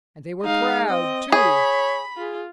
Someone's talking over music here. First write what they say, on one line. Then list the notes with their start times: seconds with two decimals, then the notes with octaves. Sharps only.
And they were proud, too.
0.43 G#3 D#4 F5
0.89 C4 D#5
1.32 G#4 C#5 B5
2.17 F4 G#4